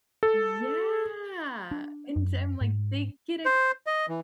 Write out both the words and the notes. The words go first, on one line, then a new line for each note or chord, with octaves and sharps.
yeah, and I'm, like, they get a
A4
D4
F#2
G#2
C5
D#5
E3